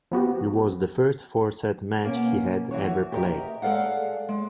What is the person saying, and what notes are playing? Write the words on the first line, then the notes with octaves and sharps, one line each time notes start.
It was the first four-set match he had ever played.
F3 B3 F#4 G4
B2 A#3 C#4
E3 F#4 C#5
G4 A4 A#4 C#5 D#5 E5
G#3 A4 D5 F5 F#5
G#3